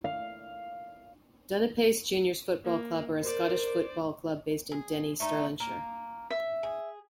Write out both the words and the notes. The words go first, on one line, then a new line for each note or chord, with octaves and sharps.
Dunipace Juniors Football Club are a Scottish football club based in Denny, Stirlingshire.
F5
A#3
A#4 C5 D5
G#4
A3 D#4
A#3
E5
G#4